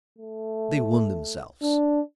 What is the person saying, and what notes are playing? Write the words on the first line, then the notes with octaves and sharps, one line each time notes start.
They wound themselves.
A3
D4